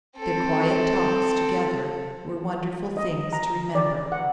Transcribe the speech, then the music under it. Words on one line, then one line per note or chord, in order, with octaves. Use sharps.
Their quiet talks together were wonderful things to remember.
C4 A4
D#5
A#5
D5
F#5